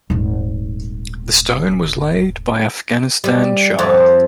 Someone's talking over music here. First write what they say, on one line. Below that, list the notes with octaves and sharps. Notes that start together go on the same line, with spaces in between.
The stone was laid by Afghanistan Shah.
D#1 G#1
G3
F2